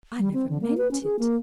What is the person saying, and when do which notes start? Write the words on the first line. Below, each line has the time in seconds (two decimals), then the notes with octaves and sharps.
I never meant it!
0.19 G3
0.34 C4
0.49 D3
0.61 A#3
0.77 B4
0.91 C#4
1.03 G#4
1.19 A#3